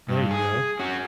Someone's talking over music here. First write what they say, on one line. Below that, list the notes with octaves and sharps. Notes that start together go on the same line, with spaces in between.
There you go.
G2
G#4
C#4 F#4